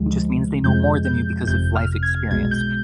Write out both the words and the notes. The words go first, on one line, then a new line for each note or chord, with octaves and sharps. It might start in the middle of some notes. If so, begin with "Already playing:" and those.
just means they know more than you because of life experience,
Already playing: D2 D3 F3 G#3
F2 C3 F3 G#3 G6
G6
G1 F2 C3 G6
F6
G#6
B1 B2 G#3 G#6
G6